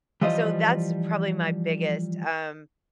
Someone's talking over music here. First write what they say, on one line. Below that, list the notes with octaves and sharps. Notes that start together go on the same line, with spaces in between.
so, that's probably my biggest, um
E3 F3 G3 F4 C5 D#5